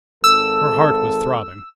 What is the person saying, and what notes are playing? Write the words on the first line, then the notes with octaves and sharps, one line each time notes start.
Her heart was throbbing.
G#1 A4 E6